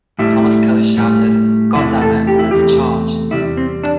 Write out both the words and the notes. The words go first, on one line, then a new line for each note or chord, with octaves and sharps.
Thomas Kelley shouted "God damn it, lets charge".
A2 G3 E4
A2 G3
E2 C3 E3 A3 E4
A4
G4
E4
E2 C3 E3 A3 G4
E2 C3 G3 E4
C4
D4